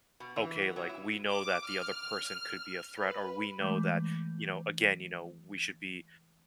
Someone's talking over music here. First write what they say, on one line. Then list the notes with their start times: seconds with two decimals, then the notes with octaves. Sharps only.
okay, like we know that the other person could be a threat, or we know that, you know again, you know, we should be
0.20 B2
0.36 E3
0.62 B3
0.76 F#3
0.89 E4
1.28 D6
1.65 F6
2.98 B4
3.59 E3 G#3 A3 D6 G6